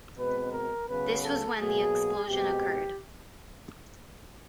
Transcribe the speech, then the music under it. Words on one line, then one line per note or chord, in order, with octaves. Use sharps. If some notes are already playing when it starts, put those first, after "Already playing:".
This was when the explosion occurred.
B2 G#3 C4 B4
A#4
C#3 F#3 B3 B4
A4
B2 F#3 A#3 G#4
B2 G#3 C4 G4